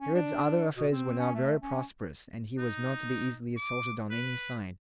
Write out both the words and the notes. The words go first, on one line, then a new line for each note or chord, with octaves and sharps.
Herod's other affairs were now very prosperous, and he was not to be easily assaulted on any side.
C#4
D4
B2
C4
C#4
A3
C#4
D#4
D6
B4